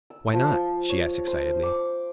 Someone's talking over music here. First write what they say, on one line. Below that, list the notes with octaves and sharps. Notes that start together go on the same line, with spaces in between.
"Why not?" she asked excitedly.
E6
F3
C#5
C5
D6